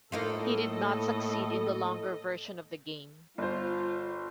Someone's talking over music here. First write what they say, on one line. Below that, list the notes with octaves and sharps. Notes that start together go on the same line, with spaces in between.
He did not succeed in the longer version of the game.
A2 A#3 D#4 F4 A4 D#5
G1 F4 C5